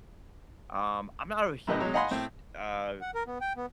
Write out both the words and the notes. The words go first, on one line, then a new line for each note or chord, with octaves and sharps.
um, I'm not a huge, t uh
F#2 A2 G4 B4 D#5
F#3 G#3
D#5 F5 F#5 G#5 B5 C6
A2 C4
F#5
A#4
B3
G5
B3